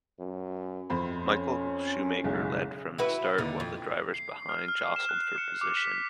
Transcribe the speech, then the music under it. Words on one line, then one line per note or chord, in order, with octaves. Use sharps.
Michael Schumacher led from the start while drivers behind jostled for position.
F#2
F2 C5 B5
C#4
F#1 B1 G#3
E4 F#4 B4
D#2 D3
F2
C7
F6
F6
E7
F#6
C#7
D6
B6